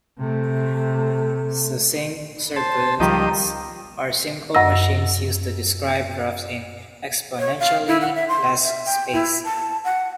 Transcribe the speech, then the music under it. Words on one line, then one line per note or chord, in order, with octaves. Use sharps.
Succinct circuits are simple machines used to describe graphs in exponentially less space.
C3 A3
C5 A5
C#2 D#3 F3 G3 G4 D#5
F#2 D#5 F#5 E6 A#6
C#5
F5
E4
F#5
E5
C6
E5
G5
E4
A5
F#5